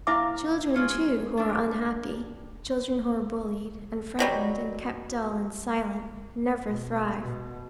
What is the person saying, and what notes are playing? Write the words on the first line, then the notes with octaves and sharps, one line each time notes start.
Children, too, who are unhappy; children who are bullied, and frightened, and kept dull and silent, never thrive.
C3 A#3 E4 E5 F5 D6
G#3 F4 C#5
G3 D4
B2 F#3 G3
B2
B2